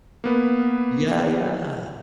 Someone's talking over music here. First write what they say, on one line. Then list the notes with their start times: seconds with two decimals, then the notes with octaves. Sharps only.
Yeah, yeah.
0.24 A#3 B3 B4